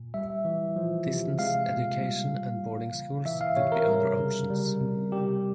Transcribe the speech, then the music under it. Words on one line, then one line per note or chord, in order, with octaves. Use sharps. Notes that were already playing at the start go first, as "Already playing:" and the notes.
Distance education and boarding schools would be other options.
Already playing: A#2
G3 E5
E3
F3
C3
G#3 F5
A#2
G3
A#2
E3
C#3
E3 E5
F5
C3 C#5
A#4
G3
C#3
G3
C3
G3 G4